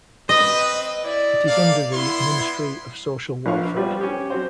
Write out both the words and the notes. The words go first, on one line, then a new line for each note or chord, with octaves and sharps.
It is under the Ministry of Social Welfare.
C4 B4 D#5
E4 D5
A3 A#3 F5
B3 E4 C6
A#1 F3 B3 F4 F5 C#6
F3 G3 B3 C4 F4 G4
C#4 G4
F#3 C4 C5